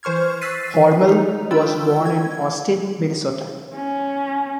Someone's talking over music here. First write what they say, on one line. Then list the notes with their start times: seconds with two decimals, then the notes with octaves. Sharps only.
Hormel was born in Austin, Minnesota.
0.03 E3 C5 C#6 F6 G#6
0.41 E6 F#6 A6 B6 C7 D#7
0.74 E3
1.08 D#4
1.51 D4 F4 G5 B5 E6
2.05 G#6
3.76 C#4